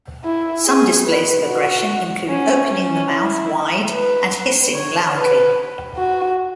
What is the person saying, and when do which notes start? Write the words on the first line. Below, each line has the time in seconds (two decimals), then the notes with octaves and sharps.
Some displays of aggression include opening the mouth wide and hissing loudly.
0.24 E4
0.65 G#4
1.05 B4
1.47 F#4
2.28 C#4
2.69 C#4
3.11 E4
3.92 B4
4.73 C#5
5.14 B4
5.96 F#4